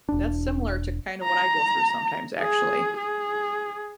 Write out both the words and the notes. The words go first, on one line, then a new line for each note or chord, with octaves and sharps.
that's similar to kinda what I go through sometimes, actually.
E1 D4
A#5
G#4
G#4